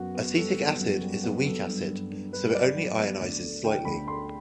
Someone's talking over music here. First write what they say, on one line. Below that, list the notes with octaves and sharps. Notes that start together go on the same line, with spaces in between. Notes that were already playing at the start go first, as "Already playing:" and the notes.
Acetic acid is a weak acid so it only ionizes slightly.
Already playing: F#2 B3 F#4
B3
G3 A4
B3
F#2
G3
B3
F#3 A4
G2
G2
G2
G2 B4
F#3 D5
F#3
B3
D2
A3
D3 G5
D2 B5
A3 C6